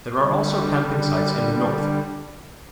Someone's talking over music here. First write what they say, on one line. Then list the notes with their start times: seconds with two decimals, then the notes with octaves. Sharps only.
There are also camping sites in the north.
0.18 D3 G3